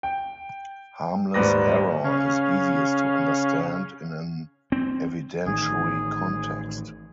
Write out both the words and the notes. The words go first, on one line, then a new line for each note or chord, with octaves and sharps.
Harmless error is easiest to understand in an evidentiary context.
G5
D#1 G#2 G3 B4 D6 A#6
C#3 C#4 F5
C4
A1 D#3 G#4